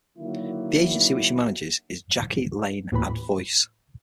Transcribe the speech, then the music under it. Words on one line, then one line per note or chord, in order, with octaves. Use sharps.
The agency which she manages is Jackie Lane Ad Voice.
D3 D#3 F#3 A#3 E4
D#2 A2 E3 B5